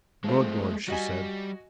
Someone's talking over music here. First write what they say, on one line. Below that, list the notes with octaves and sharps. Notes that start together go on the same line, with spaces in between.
"Good boy!" she said.
F3 G#3 A3 C4
G3 F#4 D#5 G#5